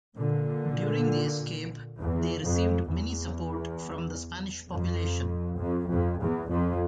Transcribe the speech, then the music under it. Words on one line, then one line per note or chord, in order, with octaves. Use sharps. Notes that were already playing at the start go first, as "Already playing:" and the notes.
During the escape they received many support from the Spanish population.
A#2 D3
E2
F2
E2
F2
F2
F2
E2
F2